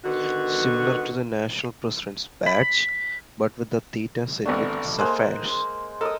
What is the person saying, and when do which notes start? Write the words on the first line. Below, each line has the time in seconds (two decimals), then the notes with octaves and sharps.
Similar to the National President's Badge, but with the Theta set with sapphires.
0.04 D3 D#3 B3 F#4
2.46 B5
4.46 G#1 G3 A3 B3 D4
4.99 G#3 A#3 C5 F#6
6.01 A4 A#4 D#5 D#6